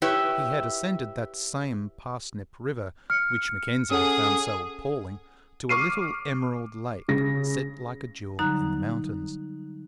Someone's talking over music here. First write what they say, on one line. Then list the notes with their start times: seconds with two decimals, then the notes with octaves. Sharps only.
He had ascended that same Parsnip river, which Mackenzie had found so appalling, to a little emerald lake set like a jewel in the mountains.
0.02 E4 G4 B4 C#5 E5
3.10 F6 C#7
3.91 C#4 G#4 A4 F#5 D#6
5.69 C#6 D6 F6 C7 D#7
7.08 C#3 A#6
8.39 D3 F#3 G3 D#4 A#5 F#6